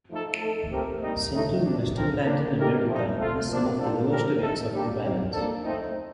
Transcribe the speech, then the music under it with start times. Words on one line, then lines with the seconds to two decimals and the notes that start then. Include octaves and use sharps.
Central and Western Latin America has some of the lowest rates of prevalence.
0.09 F3 A3 D#4 A4
0.40 A3 D#4 A4
0.70 A#2 A3 C4 G4 A#4
1.01 C3 G3 A#3 D#4
1.32 A2 A3 D#4
1.63 C3 G3 D4
1.94 F3 C4 F4 A#4
2.24 D#3 A#3 D4
2.55 A3 D#4 G4 A#4
2.87 F3 A3 C4 D#4
3.17 A3 C4 F4
3.48 F3 A#3 D4
3.79 F3 A#3 D4 F4 A4
4.09 A#2 G3 C4 G4 A#4
4.40 C3 D#3 A3 D#4 A4
4.71 G3 A#3 D4 G4
5.02 C3 D#3 A#3
5.33 F3 A#3 D4 A4
5.64 A3 C4 D#4